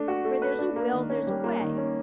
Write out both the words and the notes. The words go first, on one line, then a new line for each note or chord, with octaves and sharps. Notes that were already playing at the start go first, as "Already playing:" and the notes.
Where there's a will, there's a way.
Already playing: A3 D4
F#4
A3
B4
D4
A#3
D#3
C#4
G3
A#3
D#3
C#4